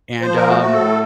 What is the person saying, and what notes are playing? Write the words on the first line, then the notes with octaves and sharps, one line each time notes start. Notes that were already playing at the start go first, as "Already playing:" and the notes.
and, um,
F3 C5
A#4
A3 F#4
F#4
A2 A4